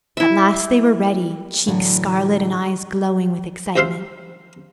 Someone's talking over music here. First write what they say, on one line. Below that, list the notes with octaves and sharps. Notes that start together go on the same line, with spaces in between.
At last they were ready, cheeks scarlet and eyes glowing with excitement.
E4 E5
A2 D3 E3 F#3 G#3 A3
D2 G4 C5 E5 F5 C6